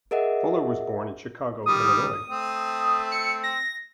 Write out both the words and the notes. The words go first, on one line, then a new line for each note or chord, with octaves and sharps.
Fuller was born in Chicago, Illinois.
G#4 A#4 D#5 E5 F#5
D#3 G3 D#6
A3 C4
C#7
A#6